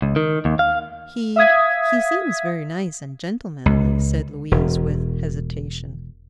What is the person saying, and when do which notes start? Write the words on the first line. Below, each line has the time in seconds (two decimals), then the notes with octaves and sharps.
"He--he seems very nice and gentlemanly," said Louise with hesitation.
0.02 C#2
0.16 D#3
0.45 D#2
0.59 F5
1.36 E5 F5 D#6 G#6 B6
3.66 C#2
4.51 E1